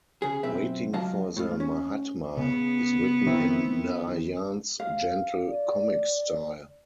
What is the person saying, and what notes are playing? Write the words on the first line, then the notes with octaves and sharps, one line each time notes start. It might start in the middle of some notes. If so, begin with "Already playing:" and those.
"Waiting for the Mahatma" is written in Narayan's gentle comic style.
C#3 G#4
F#2 B2 C4 B4 E5
C#2 F#3 F4 D#5 F5 A5
A2 G#3 F4
C#4
C#3 B3
D#3 C4 E4
F5
D5